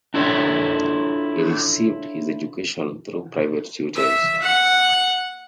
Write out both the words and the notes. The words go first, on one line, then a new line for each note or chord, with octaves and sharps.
He received his education through private tutors.
D4 E4 F4 A4 C#5 E5
E5
F#5